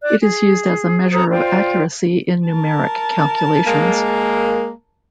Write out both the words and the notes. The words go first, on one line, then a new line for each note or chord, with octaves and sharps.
It is used as a measure of accuracy in numeric calculations.
D5 F#6
G#4
A4 C5 A#5 D#6
F4 C5 D5 G5
A#4 A5
G#3 A#3